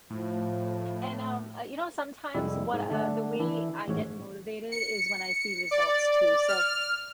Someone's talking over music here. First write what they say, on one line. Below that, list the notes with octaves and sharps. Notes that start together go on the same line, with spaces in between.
And, um, uh, you know, sometimes what, uh the way I get motivated is when I see results too, so,
A2 F3
C2 F2 G3 G#3 E4 E5
G#2
D3 A3 D4 F#5 A5
E3 D4 E4
A1 G#2 C#5
C#7
D5
F6